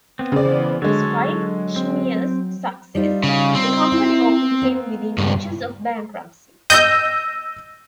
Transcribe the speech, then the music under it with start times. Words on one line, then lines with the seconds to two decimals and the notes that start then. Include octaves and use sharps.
Despite Schmeisser's success, the company often came within inches of bankruptcy.
0.19 B3 C4
0.32 C#3 C5 D5
0.45 E3 B3
0.82 D3 F#3 G#3 A4 C#5
1.76 C4
2.95 G3 D#4 F4
3.23 C#3
3.55 C4
3.92 D#4 E4 E5
4.61 A#3 B3
5.18 C#2 G2
6.70 D#5 E6 G6 A#6 D#7